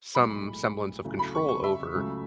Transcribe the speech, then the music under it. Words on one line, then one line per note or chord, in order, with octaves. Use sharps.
some semblance of control over,
B1 A2 G#3 B5
D2 C#3 F#3 A3 E4
B5
C#6
C#6
E5
C#2 C#3 F#3 A3